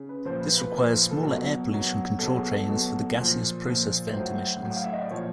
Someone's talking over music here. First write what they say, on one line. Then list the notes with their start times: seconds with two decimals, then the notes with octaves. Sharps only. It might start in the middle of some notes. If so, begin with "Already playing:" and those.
This requires smaller air pollution control trains for the gaseous process vent emissions.
Already playing: C#3
0.09 B4
0.25 A#2 F3 C5
0.41 B4
0.58 B4
0.74 A#2 F3
1.11 A4
1.22 B2 F#3 A#4
1.71 B2 F#3
2.19 B2 F#3 A4
2.36 G#4
2.52 A4
2.68 B2 F#3
3.16 A#2
3.21 F3
3.65 A#2 F3
4.12 A2 F#3 C5
4.62 A2 F#3
4.76 F5
4.84 E5
4.93 D#5
5.02 D5
5.11 A#2 F3 C#5